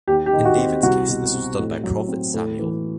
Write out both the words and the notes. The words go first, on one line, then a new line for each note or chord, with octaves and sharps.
In David's case, this was done by the prophet Samuel.
D#2 G4
G4
D#3
F#4
C4
C2 F#4
B2
C4
A2
F#3
C4
A2
E3